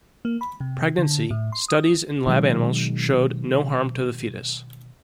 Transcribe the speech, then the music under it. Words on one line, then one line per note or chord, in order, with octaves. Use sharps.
Pregnancy: Studies in lab animals showed no harm to the fetus.
A#3
B5
C3
D3
A2
C6
D#6
B2 D#3 F#3 G#3